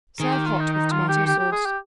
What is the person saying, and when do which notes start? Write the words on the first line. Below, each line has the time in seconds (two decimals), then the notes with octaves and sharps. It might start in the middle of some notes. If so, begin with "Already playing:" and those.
Serve hot with tomato-sauce.
0.20 D#3 G#4
0.33 G4
0.46 F4
0.60 D#4
0.73 D#4
0.91 F4
1.09 G4
1.26 G4
1.39 G4
1.52 G#4
1.65 G4